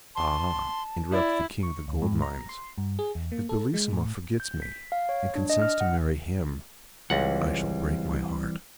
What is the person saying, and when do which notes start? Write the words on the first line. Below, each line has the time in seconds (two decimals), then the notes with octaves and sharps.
"Ah!" interrupted the King of the Gold Mines, "if Bellissima forgets me, and consents to marry him, I shall break my heart."
0.16 A5 C6
1.12 E4 D5
1.63 C#6
1.88 D2
2.02 G#2
2.22 A#5
2.49 C6
2.78 G2
2.99 G#4
3.15 E2
3.32 A#3
3.49 A4
3.74 G#3
3.93 A2
4.40 G6
4.62 B6
4.92 F5
5.09 C#5
5.35 D4
5.50 D#5
5.62 F6
5.80 F#5
7.10 C#2 E3 G3 C4 F#5